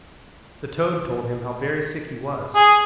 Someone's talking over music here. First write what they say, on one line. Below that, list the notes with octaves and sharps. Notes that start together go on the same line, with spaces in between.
The toad told him how very sick he was.
G#4